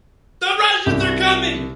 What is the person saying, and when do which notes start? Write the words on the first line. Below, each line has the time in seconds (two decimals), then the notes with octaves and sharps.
The Russians Are Coming!
0.86 C2